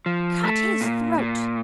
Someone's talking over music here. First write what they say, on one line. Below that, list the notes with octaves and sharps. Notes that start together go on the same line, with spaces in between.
"Cut his throat."
F3
A3
A#2
A#2